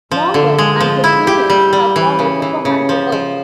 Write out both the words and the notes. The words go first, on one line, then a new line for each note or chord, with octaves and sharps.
Mongul and his minions have followed Superman to Earth.
F3
D3
G#3
F3
E4
G4
G3
G3
E3
C#3
E3
C#3
F3
F3